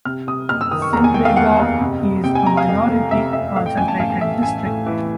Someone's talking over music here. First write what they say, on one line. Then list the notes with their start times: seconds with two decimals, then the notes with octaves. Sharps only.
Simdega is a minority concentrated district.
0.05 C3 F6
0.27 C3 D#6
0.49 F#1 F6
0.61 E6
0.71 D#3 D#6
0.82 C#6
0.93 E2 A#5
1.04 G#5
1.14 D#3 G5
1.25 F5
1.36 E2 F#5
1.59 F#1
1.81 C3
2.02 C3
2.24 C3 G5
2.35 G#5
2.46 C3 A#5
2.57 F5
2.69 F2
2.91 A3
3.11 C3 E5
3.33 F2 E5
3.55 A2 F5
3.66 G5
3.77 A1 G#5
3.88 A5
3.99 A1 F5
4.10 G#5
4.21 A2 E5
4.43 A1 G#5
4.66 A2
4.86 E3